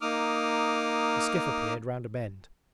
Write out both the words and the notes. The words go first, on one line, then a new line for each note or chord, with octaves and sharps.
The skiff appeared round a bend.
A#3 D#4 D6 D#6 F6